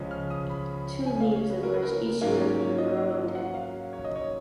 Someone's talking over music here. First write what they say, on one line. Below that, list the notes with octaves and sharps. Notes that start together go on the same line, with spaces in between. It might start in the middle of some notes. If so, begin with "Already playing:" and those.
Two leaves emerge each year from the growing tip.
Already playing: C#2 C#3 F3 G#3 C#4
F6
D#6
B5
G#5
F5
C#5
B4
A#4
B4
A#4
G#2 F#3 A#3 C#4 F4 A#4
C#5
C#5
D#5
F#5
F5
C#5
D#5
C#5